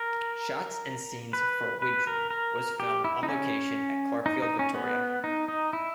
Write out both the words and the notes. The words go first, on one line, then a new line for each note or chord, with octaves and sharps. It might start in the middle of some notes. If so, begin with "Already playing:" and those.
Shots and scenes for Widgeree was filmed on location at Clarkefield, Victoria.
Already playing: A#4
B4
B4
A#4
A#4
G4
E4
D#4
C#4
D#4
D#4
C#4
B3
D#4
D#4
E4